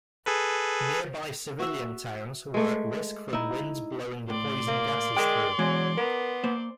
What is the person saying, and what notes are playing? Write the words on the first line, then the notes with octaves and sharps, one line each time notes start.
Nearby civilian towns were at risk from winds blowing the poison gases through.
G#4 A4 B4
F#4 E5
G#3 A3
D#4 E4
A2 D5 C6
A#3
G#3 A#4 G5
E3 F#3 G#3
B3 A#4
A#3 C5